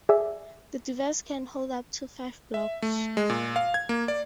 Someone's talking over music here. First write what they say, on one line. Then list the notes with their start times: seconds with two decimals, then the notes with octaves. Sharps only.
The device can hold up to five blocks.
0.09 G#4 D5 E5
2.54 E5
2.82 A3
3.17 G#3
3.30 A#2
3.56 F5
3.74 G#6
3.89 A#3
4.08 D5